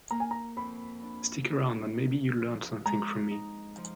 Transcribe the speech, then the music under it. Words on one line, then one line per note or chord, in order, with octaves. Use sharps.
Stick around and maybe you'll learn something from me.
A#3 A#5
G#5
A#5
F2 B5
D4
D4
D#4
F3
G#3 A#5
D#4
F3